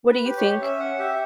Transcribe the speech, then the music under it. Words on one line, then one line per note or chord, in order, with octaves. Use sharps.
What do you think?
B4
G4
C#5
C#4 E5
F#5
G4 E5